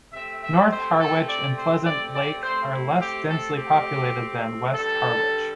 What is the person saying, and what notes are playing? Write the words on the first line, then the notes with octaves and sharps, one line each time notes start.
North Harwich and Pleasant Lake are less densely populated than West Harwich.
C3 A3 C4 E5
E5
C5
A4
D5
C5
D5
D5
C3 A3 C4 C5
E4
G4
A4
G4
G2 D3 G3 A4